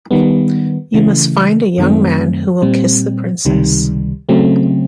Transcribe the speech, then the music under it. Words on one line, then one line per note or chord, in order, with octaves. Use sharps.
You must find a young man who will kiss the princess.
D#3 G3 B3
C#3 E3 A3
F#2 D#3 F#3 A3 C4
A#2 G3 C4
C#2 C3 D#3 G3
C#3 F#3 A3 C4